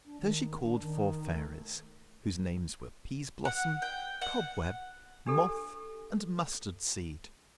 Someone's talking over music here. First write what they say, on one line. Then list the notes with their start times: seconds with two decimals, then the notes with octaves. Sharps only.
So she called four fairies, whose names were Peaseblossom, Cobweb, Moth, and Mustardseed.
0.05 D4
0.21 D#3
0.61 D4
0.81 D#3
1.34 A3
3.45 F#5
3.82 G5
4.21 F#5
5.26 D4 G4 A4